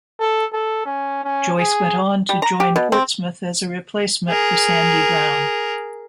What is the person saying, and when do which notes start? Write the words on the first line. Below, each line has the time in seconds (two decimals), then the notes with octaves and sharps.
Joyce went on to join Portsmouth as a replacement for Sandy Brown.
0.20 A4
0.53 A4
0.86 C#4
1.24 C#4
1.58 G#4
2.29 G3
2.42 A#5
2.60 G4
2.76 B2
2.92 C4
4.29 G#4 A#4